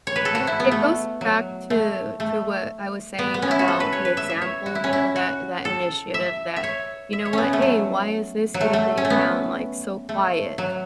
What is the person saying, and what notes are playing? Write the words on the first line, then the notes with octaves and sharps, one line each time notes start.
It it goes back to to what I was saying about the example, you know, that that initiative that, "You know what, hey, why is this itty-bitty town, like, so quiet?"
C#5
B4
A4
F#4
E4
B3
A3
F#3
A3
A3
B3
B3
C#4
E4
F#4
A4
B4
C#5
B4
E5
E5
C#5
F#4
E4
C#4
E4
F#4
A4
E5
E5
C#5
E5
C#5
B3 C#4
A3
F#3
F#3
A3
A3
C#4
A3
B3
A3
F#3